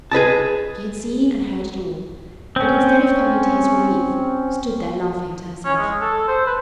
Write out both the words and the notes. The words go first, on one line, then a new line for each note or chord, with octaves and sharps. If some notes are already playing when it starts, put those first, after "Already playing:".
She had seen and heard it all, but instead of coming to his relief stood there laughing to herself.
G#4 B4 D#5 A5
C4 C#4
C#4
G#3
A4
C5
B4